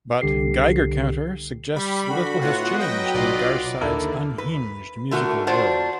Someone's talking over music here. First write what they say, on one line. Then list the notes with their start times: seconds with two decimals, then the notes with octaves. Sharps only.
But "Geiger Counter" suggests little has changed in Garside’s unhinged musical world.
0.21 C2 D3 G4 C7
1.76 G3 B5
2.10 D3 F#4
2.42 A2 B3 F4 F#5
2.79 F#3 F#4 B4 D#5 G5
3.14 B1 F4 D5
3.81 D#2 D3 E4 A4 A#4
4.38 B4
5.11 D3 A3 F#4 G4 A#4
5.47 D4 F4 F#4 C5 D5